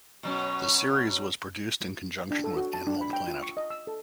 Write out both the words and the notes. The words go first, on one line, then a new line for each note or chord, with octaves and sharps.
The series was produced in conjunction with Animal Planet.
B2 F#3 C#4
D4
A4
F#4
A5
D4
B5
G5
F4
C#6
D#5
E6
A4